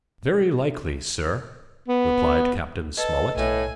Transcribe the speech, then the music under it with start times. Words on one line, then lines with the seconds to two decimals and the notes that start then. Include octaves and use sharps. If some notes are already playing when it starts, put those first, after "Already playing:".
"Very likely, sir," replied Captain Smollett.
1.88 B3
2.97 A4 B4 D#5
3.37 B1 A2 G#5